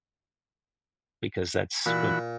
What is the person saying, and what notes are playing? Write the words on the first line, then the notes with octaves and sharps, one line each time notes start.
because that's what,
A#2 E3 F#4 B5